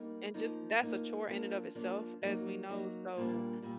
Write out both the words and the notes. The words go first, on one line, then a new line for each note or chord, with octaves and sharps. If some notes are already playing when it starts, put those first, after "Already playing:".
and just that's a chore in and of itself as we know, so,
Already playing: G3 A#3 D#4
F3 A#3 D#4
F3 A#3 D#4
F3 A#3 D4
F3 A#3 D4
F#3 A#3 D#4
F#3 A#3 D#4
A#2 G3 A#3 D4
A#2 G3